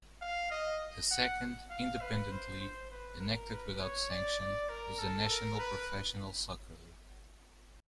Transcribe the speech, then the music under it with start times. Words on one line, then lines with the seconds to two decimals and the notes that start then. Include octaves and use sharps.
The second, independent league, enacted without sanction, was the National Professional Soccer League.
0.22 F5
0.51 D#5
1.11 F#5
1.71 F5
2.01 B4
2.31 C5
2.61 C5
2.91 B4
3.20 A#4
3.51 B4
3.80 C#5
4.10 D5
4.40 D5
4.69 A#4
4.99 A4
5.30 A#4
5.60 B4